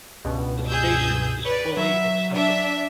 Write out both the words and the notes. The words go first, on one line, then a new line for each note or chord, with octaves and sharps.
The station is fully accessible.
C#2 G2 B2
G#4 E6 G6
B4 C#5 D5
F#3 E5
D4 E5